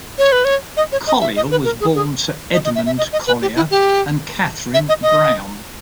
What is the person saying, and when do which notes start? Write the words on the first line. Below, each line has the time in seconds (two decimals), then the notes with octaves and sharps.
Collier was born to Edmund Collier and Katherine Brown.
0.18 C#5
0.32 B4
0.45 C#5
0.77 D#5
0.92 C#5
1.07 D#5
1.21 E5
1.36 D#5
1.51 B4
1.65 A#4
1.81 G#4
1.95 G#4
2.53 D#5
2.65 D#5
2.75 E5
2.86 E5
2.98 D#5
3.13 D#5
3.27 B4
3.42 G4
3.56 E4
3.71 G4
4.74 E5
4.89 D#5
5.03 D#5